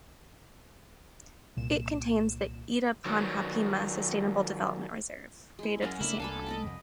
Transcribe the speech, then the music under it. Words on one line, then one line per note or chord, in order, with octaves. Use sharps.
It contains the Itapanhapima Sustainable Development Reserve, created at the same time.
C2 A#2 E7
D#3 F#3
G#3 E4
F#2 C#4 A#4 F5
C#3 A3 A#3 D4 E4
C2 A4 F5 G#5 B5
D#5 B5 D6
C2 F2